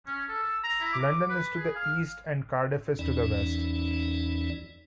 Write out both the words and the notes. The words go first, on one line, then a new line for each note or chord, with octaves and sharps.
London is to the east, and Cardiff is to the west.
C#4
A4
E6
A#5
E4
D6
B4
G#4
F5
E2 E3 C#4 D#4 D5